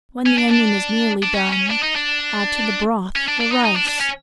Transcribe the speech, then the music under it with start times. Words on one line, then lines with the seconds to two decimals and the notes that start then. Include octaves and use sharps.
When the onion is nearly done, add to the broth the rice.
0.26 C#4
0.38 D4
0.51 D4
1.23 D4
1.35 C#4
1.53 C#4
1.71 D4
1.83 D#4
1.96 D4
3.16 C#4
3.28 D4
3.41 D4
3.52 D#4
3.64 D#4
3.76 D4
3.88 D4
4.00 C#4